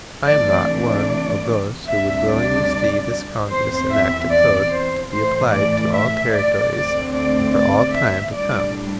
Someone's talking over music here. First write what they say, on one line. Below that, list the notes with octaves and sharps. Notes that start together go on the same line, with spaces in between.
I am not one of those who would willingly see this Congress enact a code to be applied to all Territories and for all time to come.
C3 E3 A3 D4 D5
D5
D2 C3 G3 D4 E5
D5
E2 E3 C4 C5
E5
D5
C5
A2 E3 A3 C5
D5
E5
D5
D2 D3 A3 C4 D5
D5
D5
E5
A2 G3 D4 D5